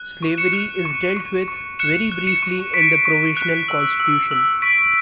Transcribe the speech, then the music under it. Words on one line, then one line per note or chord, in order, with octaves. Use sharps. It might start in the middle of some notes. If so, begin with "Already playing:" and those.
Slavery is dealt with very briefly in the Provisional Constitution.
Already playing: F#6
C#6
C#7 E7
F#6
C#6
C#6
C#6
F#6 C#7 E7
F#6
C#7 E7
C#6
C#6 B6 D7
C#6
F#6
E6
E6
E6
C#6 B6 D7